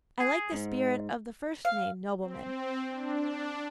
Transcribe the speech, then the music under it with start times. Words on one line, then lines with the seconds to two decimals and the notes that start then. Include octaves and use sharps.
I like the spirit of the first-named nobleman.
0.20 G#4
0.52 G#2
1.65 F5
2.21 C4
2.88 D4